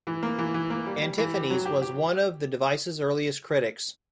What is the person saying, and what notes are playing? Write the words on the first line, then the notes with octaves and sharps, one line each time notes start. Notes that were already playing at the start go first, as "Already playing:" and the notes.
Antiphanes was one of the device's earliest critics.
E3
A#3
E3
E3
A#3
G3
G3
E3
G4
F#3
G4
G4